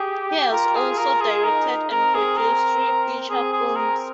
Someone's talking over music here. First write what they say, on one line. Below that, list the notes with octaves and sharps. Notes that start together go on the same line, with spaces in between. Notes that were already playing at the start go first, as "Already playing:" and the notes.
He has also directed and produced three feature films.
Already playing: G4 G#4
F4 A#4
G#4
F4 A#4
G#4
D#4 A#4
C4 A#4
G#4
A#4
C4 G#4
G#4
A#4